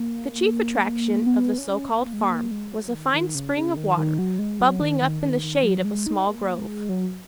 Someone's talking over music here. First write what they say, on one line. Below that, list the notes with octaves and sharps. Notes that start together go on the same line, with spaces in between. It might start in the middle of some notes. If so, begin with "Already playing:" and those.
The chief attraction of the so-called farm was a fine spring of water bubbling up in the shade of a small grove.
Already playing: A#3
B3
C#4
A#3
G#3
A#3
G#3
F#3
D#3
D#3
C#3
C#3
D#3
D#3
F#3
G#3
F#3
D#3
D#3
D#3
D#3
F#3
G#3
D#4
A#3
G#3
F#3